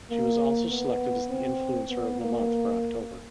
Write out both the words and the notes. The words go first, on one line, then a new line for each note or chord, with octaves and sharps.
She was also selected as the Influencer of the month for October.
A#3
B3
C4
B3
A#3